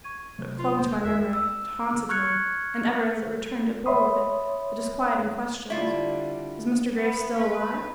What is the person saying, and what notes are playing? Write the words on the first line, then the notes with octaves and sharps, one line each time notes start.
But it clung to my memory; it haunted me; and ever as it returned it bore with it the disquieting questions: Was Mr. Graves still alive?
C#6 G#6 D#7
C3 F#3 A3
F4
C5
D#2 A#4 E5
E6
C#6 F6 F#6 G#6 C#7
C#5 E5 B5 C6 D#6
D3 G3 E4 F4
B3
B4